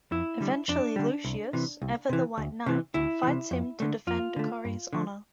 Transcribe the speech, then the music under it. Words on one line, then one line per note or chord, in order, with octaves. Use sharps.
Eventually Lucius, ever the white knight, fights him to defend Corrie's honor.
F2 E4
D3 G3
F2 D4
D3 G3
C2
C3 E3
C2
C3 E3
D2
C3 E3
D2 E4
C3 E3
F2
D3 A3
F2 F4
D3 A3
G2
D3 F3